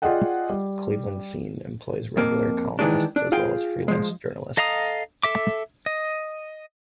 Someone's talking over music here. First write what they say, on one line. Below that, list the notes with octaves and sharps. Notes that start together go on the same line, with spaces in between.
"Cleveland Scene" employs regular columnists as well as freelance journalists.
F4 G#4 D5 D#5 F#5 G5
G3
F2 A#3
D#3 E3 G#3 D4
D4
F4 G#4 F5 G5
F3 G#3
A4 D#5 F5 A#5 D#6
A4 E5 D6
D#5